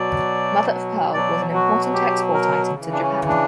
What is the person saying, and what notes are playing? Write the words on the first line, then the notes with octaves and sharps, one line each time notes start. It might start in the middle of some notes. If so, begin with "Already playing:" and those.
Mother of pearl was an important export item to Japan.
Already playing: B2 F#3 D5
B2 F#3 D5
F#4
G4
A#4
C#3 E3
D4
C#4
D4